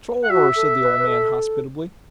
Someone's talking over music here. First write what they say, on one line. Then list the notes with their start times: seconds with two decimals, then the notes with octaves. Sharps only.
"Shore!" said the old man hospitably.
0.24 F#5
0.30 F#4 E5
0.55 A4
0.81 B4
0.98 B4
1.07 A4